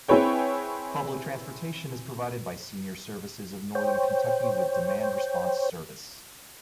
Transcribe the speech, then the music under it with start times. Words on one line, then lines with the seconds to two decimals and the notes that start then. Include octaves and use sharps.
Public transportation is provided by Senior Services of Northern Kentucky with demand-response service.
0.08 C4 E4 G#4 B4 C#5 G5
3.75 C5 C#5 G5